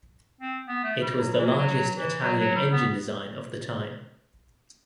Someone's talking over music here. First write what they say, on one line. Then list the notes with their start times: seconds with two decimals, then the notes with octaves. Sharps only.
It was the largest Italian engine design of the time.
0.41 C4
0.68 B3
0.84 A3
1.02 G3
1.19 F#3
1.32 G3
1.39 E3
1.44 F#3
1.57 F#3
1.70 F#3
1.96 E3
2.22 F#3
2.39 F#3
2.56 G3
2.73 B3